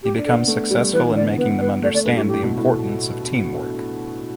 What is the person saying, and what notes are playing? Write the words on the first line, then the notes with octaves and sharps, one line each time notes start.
He becomes successful in making them understand the importance of teamwork.
G4
D4
A4
B3
A3
G3
E3 B4
D3
D5
B3
B3 B4
B4
A3 D5
A3 D5
G2 B4
A2 G4
A2 G4
B2
A2